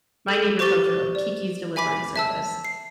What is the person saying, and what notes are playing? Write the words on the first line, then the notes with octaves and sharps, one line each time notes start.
My Neighbor Totoro, Kiki's Delivery Service,
A4
G4 C5 C#6 D6 A6 G7
D5
E5 G#5 B5 D6 B6
E5 A5 E6
C7